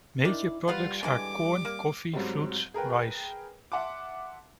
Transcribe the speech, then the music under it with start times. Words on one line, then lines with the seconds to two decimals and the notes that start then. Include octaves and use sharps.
Major products are corn, coffee, fruits, rice.
0.25 D#3 D4 E4 D5
0.68 G3 F4 B4 F5 F#5
1.03 D3 E3 G3 G#3 D6
1.65 A#3
2.13 G#2 F#3 G3 C4
2.74 G#4 A#4 B4 G5
3.72 E5 F#5 A5 C6 D6